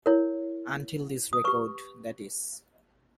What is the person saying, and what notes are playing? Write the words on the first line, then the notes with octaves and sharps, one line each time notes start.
Until this record, that is.
E4 A#4 C#5
D#6
G4 B4 C#6